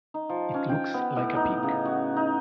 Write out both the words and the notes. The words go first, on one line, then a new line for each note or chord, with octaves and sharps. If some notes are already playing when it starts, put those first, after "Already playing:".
It looks like a pig.
D#4
F3
C#4
G5
B3
A2
D#4
C#3
F#4
D#4